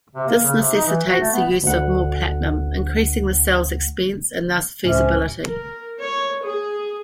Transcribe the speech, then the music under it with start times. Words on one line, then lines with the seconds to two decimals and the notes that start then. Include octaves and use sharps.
This necessitates the use of more platinum, increasing the cell's expense and thus feasibility.
0.15 C3
0.27 A#3
0.43 C#3
0.58 C3
0.74 D#4
0.86 E3
1.07 F#4
1.19 A3
1.32 B3
1.63 D2 F#5
4.84 C#2 A2 C3 C#4
5.48 A#4
5.98 C#5
6.44 G#4